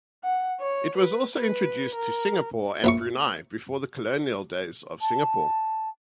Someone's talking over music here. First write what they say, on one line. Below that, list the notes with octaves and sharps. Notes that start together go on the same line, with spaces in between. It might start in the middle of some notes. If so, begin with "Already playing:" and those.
It was also introduced to Singapore and Brunei before the colonial days of Singapore.
F#5
C#5
B4
B4
A#4
A#1 E5 C#6
A5